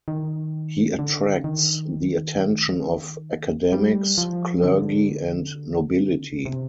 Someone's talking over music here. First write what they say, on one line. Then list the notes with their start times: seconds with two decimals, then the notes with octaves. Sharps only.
He attracts the attention of academics, clergy and nobility.
0.08 D#3
0.99 D3
1.44 D#3
3.72 G3
4.18 F3
4.63 D3
6.46 C3